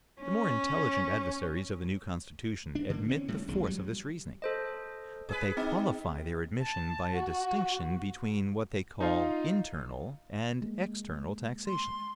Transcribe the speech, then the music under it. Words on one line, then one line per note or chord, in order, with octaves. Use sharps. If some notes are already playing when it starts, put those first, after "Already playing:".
The more intelligent adversaries of the new Constitution admit the force of this reasoning; but they qualify their admission by a distinction between what they call INTERNAL and EXTERNAL taxation.
C#4
D4
D3 A#3
C4 C#4
A2 G3 A3
E1 B1 D#3 G#3
F#3 G3
A4 C5 D#5
G#4 B4
C4 D#4
A5
F#4
D#4 F4 F5
G#3 A#3
C6